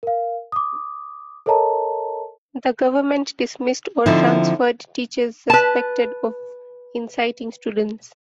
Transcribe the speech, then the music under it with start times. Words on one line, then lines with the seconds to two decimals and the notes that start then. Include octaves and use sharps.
The government dismissed or transferred teachers suspected of inciting students.
0.03 A#4 F5
0.52 D6 D#6
1.46 A4 A#4 C#5 D#5 A5 A#5
4.06 D3 F3 C4 D#4 E4
5.50 B4 A5